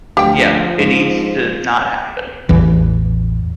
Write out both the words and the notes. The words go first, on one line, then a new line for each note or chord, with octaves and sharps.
yeah, it needs to not happen.
D2 F3 G4 G5
G#2
A1 E2 E3